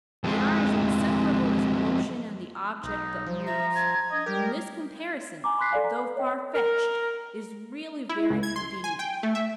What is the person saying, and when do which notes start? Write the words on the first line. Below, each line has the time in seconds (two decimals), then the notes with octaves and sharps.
They are as inseparable as motion and the object that moves; and this comparison, though far-fetched, is really very convenient.
0.24 F2 G#3
2.84 B1 D#4
3.27 F3 C5
3.46 E5 A#5
3.75 G#6
4.11 D4 D#5
4.26 G3 G4 A#4
5.44 G#5 A#5 D6
5.58 B5 C6 D6 F#6 B6 C7
5.71 A4 D5 F5 G#5
5.84 A#5
6.01 B4
6.16 C#5 D#5 G5
6.55 A#4
8.09 E4
8.30 C#2
8.43 G#6
8.56 C6
8.84 G#5
8.99 G5
9.23 A3
9.35 E5